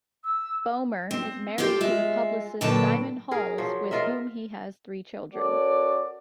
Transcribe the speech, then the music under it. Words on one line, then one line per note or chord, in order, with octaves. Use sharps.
Bomer is married to the publicist Simon Halls with whom he has three children.
E6
C4
F4 G4 A4 C5 F#5 G5
G#3 F4 E5
A#2 D3 F#3 B4 G5 A5
G#4 A#4
F3 F#3
F4 A#4 D#5 E5
C#4 F#4 A4 A#4 C#5 D5